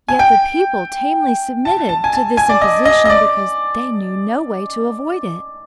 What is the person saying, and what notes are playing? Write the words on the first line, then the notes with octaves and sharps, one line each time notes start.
Yet the people tamely submitted to this imposition because they knew no way to avoid it.
G#5
G5
A5
A5
G#5
A5
G#5
D5
D#5
D#5
D#5
D5